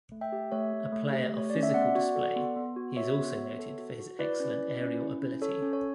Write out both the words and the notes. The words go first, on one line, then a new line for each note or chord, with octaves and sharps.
A player of physical display, he is also noted for his excellent aerial ability.
A3
E5 G5
G4
A3 C#5 E5
A3
A3
G4
A3 C#5
D5
C#4
E5
B3 D5 F#5
F#4
A4
B3
B3
F#4
F#4 C#5 E5
B3
B3
A4
F#4
F#4
E4 B4 D5
C#4
E4
C#4
E4
C#4
A4 C#5
C#4
C#5